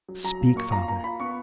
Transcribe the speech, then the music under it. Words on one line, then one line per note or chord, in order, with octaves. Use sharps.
Speak, Father.
F#3
F#3 A#5
A#2
A#3 C#6
F4 A#5
A#3 A#5
F4 B5
B3 C#6